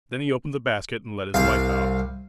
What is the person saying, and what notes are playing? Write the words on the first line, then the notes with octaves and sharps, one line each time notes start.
Then he opened the basket and let his wife out.
C2 F5